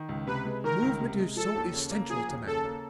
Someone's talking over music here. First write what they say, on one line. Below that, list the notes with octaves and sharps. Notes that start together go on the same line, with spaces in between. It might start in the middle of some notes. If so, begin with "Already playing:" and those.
Movement is so essential to matter!
Already playing: D#3
C#2
C3 B4
G#3
D#3 A#4
C#2
C3
G#3
F3 A4
D#2
C#3
A#3
F3 G#4
D#2
C#3 A4
A#3